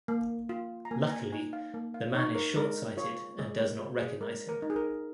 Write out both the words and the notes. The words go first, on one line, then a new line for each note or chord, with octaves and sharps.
Luckily, the man is short sighted and does not recognise him.
A#3
F4
A#5
A#3 G#5
A#5
G#5
D#4 G#5
F5
A#3
F5
D#4 C#5
A#4
G#3 A#4
F4 C#5
G#3 G#4
A#4
F4
G#4
G#3 A#4
A#4
D#4
G#4
A#4